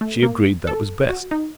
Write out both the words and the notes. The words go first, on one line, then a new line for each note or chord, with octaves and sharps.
She agreed that was best.
A3
A#3
A4
F#4
D#4